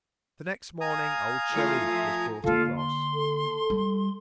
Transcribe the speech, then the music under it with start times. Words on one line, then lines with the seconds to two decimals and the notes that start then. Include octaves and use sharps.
The next morning old Shereef was brought across.
0.81 F5 G#5 A#5 D#6
1.51 E3 A3 F4
1.91 F3 E5
2.44 D3 A#3 F4 A4 F5
2.74 C6
3.13 A4
3.70 G3